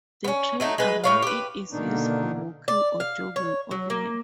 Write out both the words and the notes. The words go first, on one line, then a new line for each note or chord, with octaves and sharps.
The trail around it is used for walking or jogging all year.
B3 C#4
F#3 A3 D#4
G#3 B4
A2 C#5 F5
G4 B4
B2 D3 D#3 A#3 D4 D#4
D5
F5
C#5
F#3
A#3